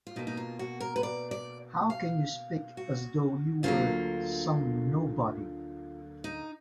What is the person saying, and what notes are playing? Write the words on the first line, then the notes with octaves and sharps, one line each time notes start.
How can you speak as though you were some nobody?
F4
B2 A#3 D#4
D#4
F4
F#4
A#4
B4
D5
D5
F5
F#4
D2 D3 F#3 A#3 F4
D#4